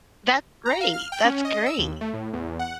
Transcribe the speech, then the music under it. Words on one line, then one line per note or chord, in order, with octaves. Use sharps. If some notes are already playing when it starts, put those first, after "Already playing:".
That great, that's great.
A#5
F5
F6
G5
C#4
D#5
E6
D#2
A3
A2
E2
F#5